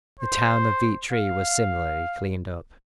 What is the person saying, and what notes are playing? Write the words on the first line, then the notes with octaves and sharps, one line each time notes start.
The town of Vietri was similarly cleaned up.
C5
F5